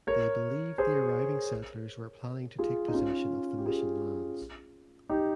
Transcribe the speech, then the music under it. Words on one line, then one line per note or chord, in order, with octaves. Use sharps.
They believed the arriving settlers were planning to take possession of the mission lands.
A#4 C#5
G#4 C5
F4 G#4
D#4
C#4 F4
G4
F4 G#4
D#4 G4